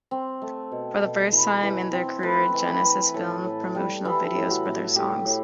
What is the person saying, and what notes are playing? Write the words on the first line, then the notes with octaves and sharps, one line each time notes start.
For the first time in their career, Genesis filmed promotional videos for their songs.
C4
A3
B2
B2
E3 B4
E3
C4
A3 B4
E3
B4
E3
A2 A4
A2
G3
E3 E4
A2
F#4
A2
A2 G4
A2